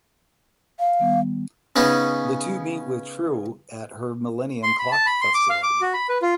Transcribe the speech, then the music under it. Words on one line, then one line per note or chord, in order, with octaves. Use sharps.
The two meet with Trieu at her Millennium Clock facility.
F5
D#3 G3 B3
C#3 B3 C#4 D#4
C6
B5
A5
B5
C6
D6
F5
D6
F#4
B5
B4
F4